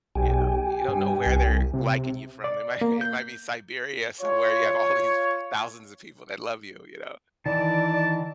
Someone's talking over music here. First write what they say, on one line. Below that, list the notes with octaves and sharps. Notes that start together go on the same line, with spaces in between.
you know, you don't know where they're liking you from. They might it might be Siberia somewhere you have all these thousands of people that love you, you know?
B1 G4 G5 G#5
G2
C2
C3
D5
A#3
G6
F4 C#5
D#3 E3 D5 A5